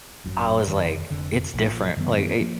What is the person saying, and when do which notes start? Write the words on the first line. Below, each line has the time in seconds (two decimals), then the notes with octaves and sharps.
I was like it's different. Like, eh
0.24 G#1 F#2 D3 F#3
0.67 F1 F2 D#3
1.11 F1 F2 D3
1.54 A#1 A#2 F3
1.97 F#2 D#3 F#3 B3
2.41 F3 A#3